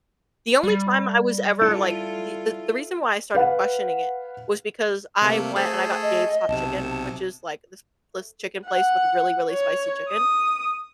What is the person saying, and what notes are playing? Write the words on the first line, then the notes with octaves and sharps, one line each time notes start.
The only time I was ever like the the the reason why I started questioning it, was because I went and I got Dave's Hot Chicken, which is like this this chicken place with really, really spicy chicken,
G3
E4 F4 A4
B4 F5 F#5
C3 A3 A#3
A3 G#4 A4 C5
D#5
B1 C3 A5
F#5
C#5
D#6